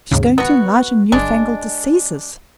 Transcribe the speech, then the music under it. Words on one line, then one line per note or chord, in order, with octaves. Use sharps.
She is going to enlarge on new-fangled diseases.
D#2 G#2 C#3
B3 F#4
G1 G#3 D4